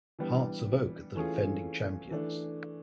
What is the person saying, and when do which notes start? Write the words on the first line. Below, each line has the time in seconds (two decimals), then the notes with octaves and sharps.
Hearts of Oak are the defending champions.
0.19 E3 G3 B3 D4
1.15 E3 A3 C#4 F4 G#4
2.11 E3 A3 D4